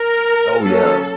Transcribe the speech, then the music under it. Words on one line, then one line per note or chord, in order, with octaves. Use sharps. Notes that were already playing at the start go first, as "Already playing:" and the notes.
Oh, yeah.
Already playing: A#4
F#3 A#3 C#4 A4